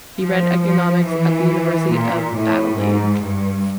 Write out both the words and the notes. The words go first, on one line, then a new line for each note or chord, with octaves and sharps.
He read economics at the University of Adelaide.
F3
F3
E3
A#2
A2
G#2
G2